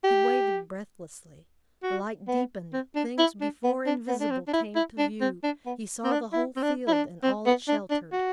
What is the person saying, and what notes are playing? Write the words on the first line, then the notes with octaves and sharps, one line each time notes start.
He waited breathlessly. The light deepened; things before invisible came to view; he saw the whole field, and all it sheltered.
G4
F#4
B3
C4
D4
E4
D4
B3
D4
B3
D4
C4
D4
E4
E4
D4
C4
D4
B3
C4
D4
E4
C4
D4
E4
D4
C4
B3
D4
D4
F#4